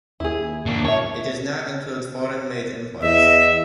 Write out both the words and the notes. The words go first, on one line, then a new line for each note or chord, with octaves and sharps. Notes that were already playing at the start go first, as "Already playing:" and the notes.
It does not include foreign-made imports.
D#2 E4 G#4
A#3 D4
B2 C#5 E5 A5
E2 D#5 E5